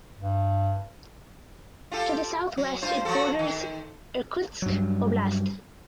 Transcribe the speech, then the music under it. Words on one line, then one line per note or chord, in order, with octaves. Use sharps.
To the southwest it borders Irkutsk Oblast.
G2
F4 G4 A4
F#3
G2 F4 C5
F3 F#4 A4
D#3
G2 F#3